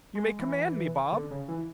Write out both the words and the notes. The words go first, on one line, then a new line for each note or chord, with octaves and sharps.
You may command me, Bob.'
G#3
E3
D3
C#3
E3